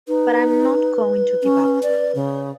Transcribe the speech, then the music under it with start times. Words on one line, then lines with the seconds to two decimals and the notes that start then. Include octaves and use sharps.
But I'm not going to give up.
0.08 D#4 B4
1.43 C#4
1.83 D5
2.15 C#3